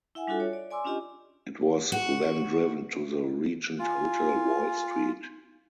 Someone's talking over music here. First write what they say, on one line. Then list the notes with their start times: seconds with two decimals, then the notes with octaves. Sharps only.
It was then driven to the Regent Hotel, Wall Street.
0.15 E4 E5 F#5 G#5
0.27 G3 D4 F4 F#4 A4 E5
0.40 C#5
0.53 D5
0.71 D5 G#5 C6 D6 E6
0.85 C#4 D4 F4 G4 D#5 G#5
1.92 F#4
3.79 F4 G#5